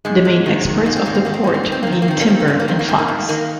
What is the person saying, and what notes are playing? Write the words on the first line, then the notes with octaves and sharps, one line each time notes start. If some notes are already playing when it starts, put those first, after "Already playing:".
The main exports of the port being timber and flax.
G#2 G#3
G#2
D#3
D#3
G#2 A#3
C4
G#2 A#3
C4
D#3 A#3
C4
G#2 A#3
C4
G#2 A#3
C4
D#3 A#3
C4
A#3
D#3 C4
A#3
D#3 C4
A#3
G#2 C4
A#3
D#3 C4
A#3
G#2 C4
A#3
G#2
D#3 A#3